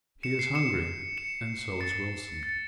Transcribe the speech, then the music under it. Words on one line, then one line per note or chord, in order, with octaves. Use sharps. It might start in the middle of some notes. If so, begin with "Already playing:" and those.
He is hungry and so is Wilson.
C#7 E7
C7
C#7 E7
C#7 E7
A6 C#7
A6 C#7